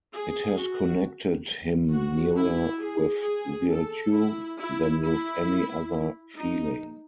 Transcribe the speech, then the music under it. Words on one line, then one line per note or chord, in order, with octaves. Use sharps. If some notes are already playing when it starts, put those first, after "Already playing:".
It has connected him nearer with virtue than with any other feeling.
G#4
F#4
F#4
E4
G#4
G#4
A4
E4
E4
E4
D#4